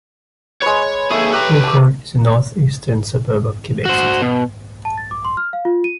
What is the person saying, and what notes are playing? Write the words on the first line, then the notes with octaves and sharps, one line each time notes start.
Beauport is a northeastern suburb of Quebec City.
G#3 B4 C#5
D#2 G#4 A4 C#5 E5
G4 B4 A#5
A5 D6
F#4 C5
B2
A5
A6
D6
C6
F6
F5
F4
D#7